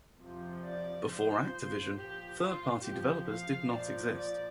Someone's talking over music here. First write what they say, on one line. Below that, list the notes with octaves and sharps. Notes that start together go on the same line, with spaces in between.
Before Activision, third-party developers did not exist.
F2 C3 F3
D5
A#2 F3 C5
A#2 F3 G4
F4
F2 F3 G4
F5
A#2 F3 D5
D5